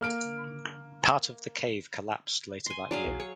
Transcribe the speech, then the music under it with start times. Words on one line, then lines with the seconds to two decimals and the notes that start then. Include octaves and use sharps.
Part of the cave collapsed later that year.
0.01 A#3 F6 D7
2.66 G#5 C6
2.91 F#3 D4 G#4 F5
3.04 B1 E2
3.20 G#4 C#5